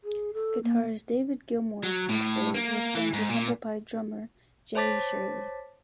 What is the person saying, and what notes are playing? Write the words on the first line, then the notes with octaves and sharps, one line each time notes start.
Guitarist David Gilmour of Pink Floyd was friends with Humble Pie drummer Jerry Shirley.
G#4
A4
A#3
F#3
A2
A#3
E3
G#2
A#2
C5 C#5 A5 D6 A6 B6